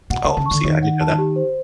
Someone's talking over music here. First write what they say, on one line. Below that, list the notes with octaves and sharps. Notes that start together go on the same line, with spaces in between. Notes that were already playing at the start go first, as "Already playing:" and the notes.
Oh, see, I didn't know that.
B2 F#5
C#3
A5
C#3
C#6
D3
D#3 C#5
F#5
A5
G4
C5